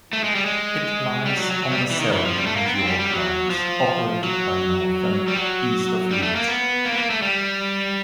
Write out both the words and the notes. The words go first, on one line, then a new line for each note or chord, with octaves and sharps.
It lies on the Selby and York Lines, operated by Northern, east of Leeds.
A3
G#3
G3
G#3
G3
F#3
F#3
F#3
G3
E3
D#3
E3
F3
G3
A3
A#3
B3
C4
G3
G3
F#3
F3
F#3
G3
F#3
G3
A3
A#3
B3
A#3
B3
A#3
A3
G3